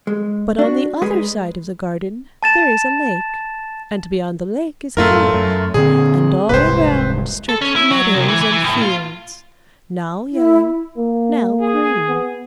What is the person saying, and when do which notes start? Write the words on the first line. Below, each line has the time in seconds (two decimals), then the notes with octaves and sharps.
But on the other side of the garden there is a lake, and beyond the lake is a village, and all around stretch meadows and fields, now yellow, now green.
0.07 G#3
0.59 D4 F#4
1.02 G#3 G#4 B4
2.43 A5 A6 E7
4.97 F#2 A2 A3 F4 A#4
5.33 F#2
5.74 A#2 D3 C4 G#4
6.49 D#1 C2 G#2 B4 C5
7.49 A4
7.61 C#4
7.76 E4
7.91 F#3
8.14 C2
8.28 E3
8.41 E3
8.52 E3
8.64 A2
8.82 F4
10.33 E4
10.97 A#3
11.60 G#4
12.08 B3